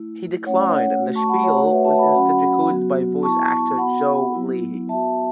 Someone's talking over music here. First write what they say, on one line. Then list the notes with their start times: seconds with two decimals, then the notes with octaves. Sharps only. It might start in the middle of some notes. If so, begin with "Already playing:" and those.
He declined and the spiel was instead recorded by voice actor Joe Leahy.
Already playing: A3 E4
0.46 A3 C#4 E4 C#5 F#5
0.74 C#5 F#5
1.01 A3 F#4
1.15 A5 C#6
1.29 F#5 B5
1.43 C#5 F#5
1.57 A3 C#5 F#5
1.61 F#4
1.71 B4 E5
1.85 E5 A5
1.98 F#5 B5
2.12 F#3 C#4 F#4 F#5 B5
2.68 F#3 B3 F#4
3.23 B3 E4 A5 C#6
3.78 B3 F#4 F#5 B5
4.34 F#3 B3 E4
4.89 B3 F#4 E5 A5